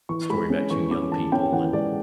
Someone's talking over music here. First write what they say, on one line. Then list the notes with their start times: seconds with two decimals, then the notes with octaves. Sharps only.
story about two young people, and
0.09 E3 C#6
0.30 G#3 B5
0.50 C#4
0.70 E3 C#6
0.91 C#4 D6
1.11 E3 A5
1.32 C#4 G5
1.52 E3 F#5
1.73 G#3 D5